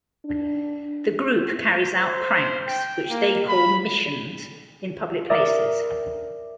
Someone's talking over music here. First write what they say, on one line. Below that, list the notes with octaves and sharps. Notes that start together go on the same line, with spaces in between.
The group carries out pranks, which they call "missions", in public places.
D4
C5
C5
G5
A#3
B5
A#4 D5 E5 D6 D#6 A6